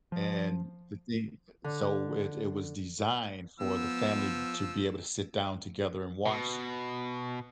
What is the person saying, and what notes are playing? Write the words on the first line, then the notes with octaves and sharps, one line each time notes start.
And the thing so it it was designed for the family to be able to sit down together and watch
F3
D3
F3 B3 E6
B2